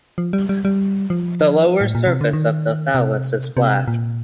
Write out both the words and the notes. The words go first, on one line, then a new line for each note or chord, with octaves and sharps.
The lower surface of the thallus is black.
F3
G3
G3
G3
F3
A2
A#2
C3
D3
D#3
C3
C3
A#2